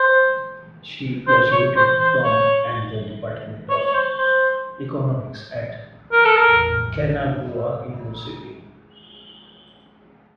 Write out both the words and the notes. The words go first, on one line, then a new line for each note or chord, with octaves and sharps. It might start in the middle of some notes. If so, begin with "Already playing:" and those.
She graduated from and the department of economics at Kanagawa University.
Already playing: C5
C5
C#5
C5
C5
C#5
C#5
C#5
C5
C5
A#4
A4
A#4